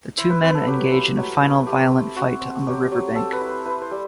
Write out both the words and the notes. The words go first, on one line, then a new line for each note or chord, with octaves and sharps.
The two men engage in a final violent fight on the riverbank.
E4 C5
B4
C4 B4
A4
F#3 G4
E4
F#3
A3
A3 G4
C4
C4 F#4
C4
F#3 G4
F#3
C4 A4
B4
E4
C5
E4 B4
C5
G3